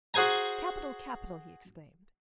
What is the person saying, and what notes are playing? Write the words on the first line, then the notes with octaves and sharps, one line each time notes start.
"Capital! capital!" he exclaimed.
F#4 G#4 C5 G#5 A#5